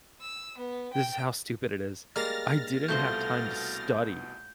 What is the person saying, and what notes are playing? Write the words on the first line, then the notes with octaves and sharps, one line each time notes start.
this is how stupid it is, I didn't have time to study
E6
B3
G5
G3 G#3 A#3 F6 A6 A#6
C2 B2 A3 F4 C5 G6 G7